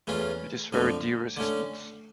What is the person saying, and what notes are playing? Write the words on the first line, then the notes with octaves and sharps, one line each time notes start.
It is very deer-resistant.
E2 E3 A3 C#4 F4
F2 D3 F3 A3
D3 A3 C#4